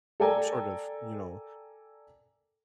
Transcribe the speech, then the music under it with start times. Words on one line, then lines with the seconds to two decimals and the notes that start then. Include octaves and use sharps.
sort of, you know,
0.20 A4 A#4 D5 G5 G#5 A#5